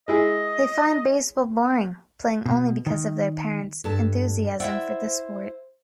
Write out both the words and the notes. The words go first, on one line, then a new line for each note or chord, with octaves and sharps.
They find baseball boring, playing only because of their parents' enthusiasm for the sport.
G#3 E4 G#4 D#5
B2
D#3
G2 A4 A5
E4 F4 C5 D5 E5 F#5 G5